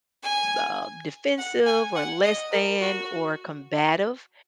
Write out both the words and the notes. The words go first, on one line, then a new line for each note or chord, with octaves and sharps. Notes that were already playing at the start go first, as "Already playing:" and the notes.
uh, defensive or less than or combative,
G#5
F#5
G#5
F#5
D#5
A#4
F#4